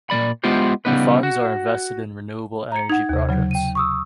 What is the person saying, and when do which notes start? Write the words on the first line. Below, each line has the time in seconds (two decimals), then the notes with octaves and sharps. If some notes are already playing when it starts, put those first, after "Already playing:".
The funds are invested in renewable energy projects.
0.10 A#2 F#3 D5 B5
0.44 G#3 B3 E4 F4 G4 C5
0.85 C#3 G3 B3 D#4 B4
1.23 F#4
2.72 A#5 C#7
2.90 D#4 F#5 G#6
3.09 D#2 C3
3.29 C#3 F#3
3.51 G5 D#7
3.75 C#6 D#6 E6